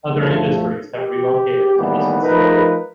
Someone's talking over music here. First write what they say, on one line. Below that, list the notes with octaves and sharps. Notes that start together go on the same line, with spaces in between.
Other industries have relocated to this facility.
B1 G2 F3 A3
G4
A2 D#3 E3 G3 A#3 B3
F3 A3 D#4 A#4 B4